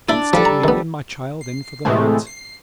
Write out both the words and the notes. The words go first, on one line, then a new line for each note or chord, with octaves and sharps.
"Canst take me and my child in for the night?"
D4 E4 D5 B5
F3 G3 A4
A#5
D#3 B3
C7
A2 C3 E3 G#3 A3
C7